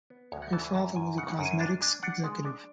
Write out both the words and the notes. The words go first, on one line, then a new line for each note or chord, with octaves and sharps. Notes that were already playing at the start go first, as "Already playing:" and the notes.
Her father was a cosmetics executive.
B3
D2 C#5
F#5
E3 A5
G#5
F#2 A5
F#2 G#5
C#3 F#5
F#5
F#2
G#5
D4 A5
D4 G#5
D4 F#5
G#3
D4